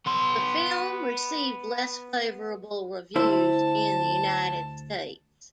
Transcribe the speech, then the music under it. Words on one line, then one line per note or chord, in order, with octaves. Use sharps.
The film received less favourable reviews in the United States.
B3 C6
D2 E4 C5 A5